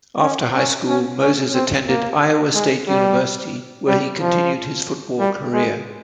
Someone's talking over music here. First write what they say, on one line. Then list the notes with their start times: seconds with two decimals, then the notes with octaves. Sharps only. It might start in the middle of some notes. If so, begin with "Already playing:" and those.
After high school Moses attended Iowa State University where he continued his football career.
0.21 C#4
0.55 C#4
0.89 C#4
1.22 C#4
1.55 C4
1.89 A#3
2.54 G#3
2.88 G3
3.87 G3
4.21 F3
5.19 G3
5.54 G#3